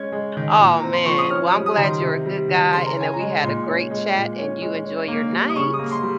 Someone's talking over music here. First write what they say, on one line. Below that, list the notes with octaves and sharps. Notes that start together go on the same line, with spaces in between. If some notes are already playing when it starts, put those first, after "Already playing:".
Oh, man. Well, I'm glad you're a good guy and that we had a great chat, and you enjoy your night.
Already playing: G#3 C#4 G#6
G#3
D#3
A#2
C4 A#5
C6
F3 C#6
D#6
C#4 F6
D#6
G3
D#6
D#3 A#5
C6
C3
G3
D#3
C#3 C6
A#5
C#4 G#5
A#5
G#3
A#2 C6
C#4
G#3
A#2
C#4
G#3
C#4
A#3
G3
D#6
C#3 C#6
D#6
A#3
C6
G3